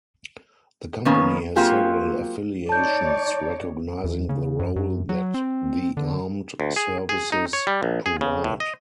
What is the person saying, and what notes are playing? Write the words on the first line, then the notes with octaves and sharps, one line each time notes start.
The Company has several affiliations recognising the role that the Armed Services provide.
D#3 A#3 B3 C#4
F#3 A#3 C4 F4 G4 G#4
D#4 C#5 D5 A5 G6
E2
C#3
F#2
F#2
F#3
C4
D3
D2
G#4
G#4
D#4
C#5
G3
A#1
G#4
C#3
A2
D#5